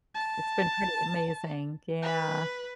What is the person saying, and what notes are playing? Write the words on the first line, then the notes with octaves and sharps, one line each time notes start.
It's been pretty amazing, yeah.
A5
B4